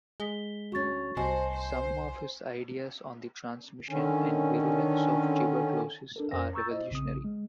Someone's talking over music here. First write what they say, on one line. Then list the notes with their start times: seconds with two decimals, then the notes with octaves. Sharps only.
Some of his ideas on the transmission and virulence of tuberculosis are revolutionary.
0.20 G#3 B6 G7
0.72 D2 C#4 F#4 C#6 A6
1.17 C2 F#4 C5 D#5 G#5 A5
1.52 C5
3.89 D3 D#3 C#4
6.16 D4 A4 A#4
6.31 F2 C#4 A#4 C5 A#6
6.54 A#5 C#6 E6 G6 A6
6.71 E4 C5 D#5
6.91 A#1 C#3 C4 D#6
7.24 G#3